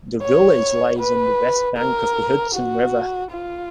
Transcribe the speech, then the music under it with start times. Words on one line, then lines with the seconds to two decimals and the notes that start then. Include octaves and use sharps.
The village lies on the west bank of the Hudson River.
0.22 C#5
0.99 B4
1.77 A#4
2.55 F#4
3.32 F4